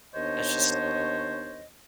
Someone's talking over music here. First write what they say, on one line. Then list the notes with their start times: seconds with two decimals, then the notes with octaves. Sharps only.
that's just
0.14 D#2 B3 D4 C5 C#5 D#5